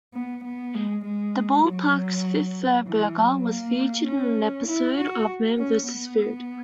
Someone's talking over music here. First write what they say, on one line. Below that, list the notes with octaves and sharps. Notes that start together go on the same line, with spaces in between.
The ballpark's Fifth Third Burger was featured on an episode of Man versus Food.
B3
B3
G#3
G#3
F#3
E3
F#3
A#3
C#4
E4
F#4
C#4
B3